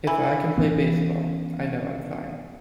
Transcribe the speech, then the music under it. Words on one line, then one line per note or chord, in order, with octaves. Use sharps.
If I can play baseball, I know I'm fine.
E3
E3 B3 C#4